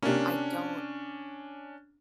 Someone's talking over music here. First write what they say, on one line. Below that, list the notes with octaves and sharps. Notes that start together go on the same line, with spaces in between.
I don't
C3 A#3 C#4 D4